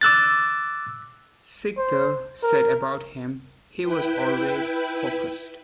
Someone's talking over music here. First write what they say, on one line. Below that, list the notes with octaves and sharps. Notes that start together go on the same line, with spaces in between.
Sikdar said about him, He was always focused.
D6 E6 F#6 A6
C5
A#4
E4 B4 G5